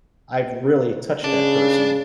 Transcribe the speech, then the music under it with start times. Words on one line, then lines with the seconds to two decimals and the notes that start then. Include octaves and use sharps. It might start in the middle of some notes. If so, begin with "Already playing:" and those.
I've really touched that person.
1.24 C#3 D4